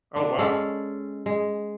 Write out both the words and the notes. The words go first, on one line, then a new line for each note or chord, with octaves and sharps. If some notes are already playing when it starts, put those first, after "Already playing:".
Oh, wow.
D4
G#3 C#4 A4
G#3